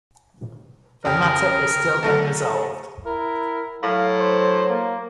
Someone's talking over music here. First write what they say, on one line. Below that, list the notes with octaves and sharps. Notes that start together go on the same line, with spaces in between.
The matter is still unresolved.
F2 C#3 G4 A#4
F#3 A3 A4
E4 A#4
A2 F#3 F5
C5
A#3